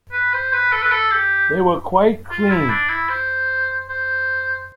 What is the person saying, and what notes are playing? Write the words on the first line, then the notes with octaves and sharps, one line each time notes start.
They were quite clean.
B4
C5
B4
A4
B4
A4
G4
F4
E4
D4
E4
C5
C5